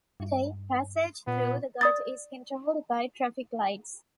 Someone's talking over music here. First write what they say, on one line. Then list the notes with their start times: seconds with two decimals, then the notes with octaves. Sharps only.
Today passage through the gut is controlled by traffic lights.
0.20 G2
1.27 A#2 B3
1.81 D5 D#6 A6